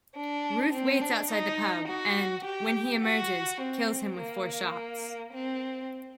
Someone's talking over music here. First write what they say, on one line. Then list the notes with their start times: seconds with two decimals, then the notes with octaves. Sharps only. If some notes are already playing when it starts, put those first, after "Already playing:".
Ruth waits outside the pub and, when he emerges, kills him with four shots.
0.16 D4
0.73 C4
1.02 D4
1.30 D#4
1.88 F#4
2.45 G4
3.03 F#4
3.61 C4
4.18 A#3
5.33 C4